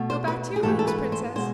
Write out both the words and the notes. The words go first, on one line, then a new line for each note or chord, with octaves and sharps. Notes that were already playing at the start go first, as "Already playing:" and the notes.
Go back to your rooms, Princess.
Already playing: B2 A3
C5
B4
G#4
G#2 E3 A3 A4
A4
B4
C5
B2 G#3 C5